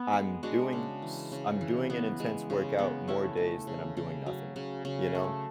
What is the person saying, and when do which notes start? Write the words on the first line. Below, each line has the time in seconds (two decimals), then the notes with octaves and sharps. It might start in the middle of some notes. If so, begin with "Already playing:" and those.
I'm doing s I'm doing an intense workout more days than I'm doing nothing, you know?
Already playing: B3
0.13 G#3
0.43 G#3 D4 F#4
0.73 C#3
1.02 E3
1.32 C#3
1.61 E3
1.90 B3
2.20 G#3
2.50 C#3
2.79 B3
3.08 A3 C#4 E4
3.37 A3
3.67 C#3
3.97 C#3
4.26 F#3
4.56 C#3
4.85 C#3
5.15 A3